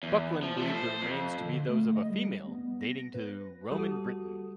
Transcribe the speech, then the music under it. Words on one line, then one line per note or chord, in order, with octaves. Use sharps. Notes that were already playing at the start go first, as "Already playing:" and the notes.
Buckland believed the remains to be those of a female, dating to Roman Britain.
E2
F3
F3 A3
C5
F2
D3
A3
D#5
G3
B3
A#6
B4
G3 F#4 A4 D#6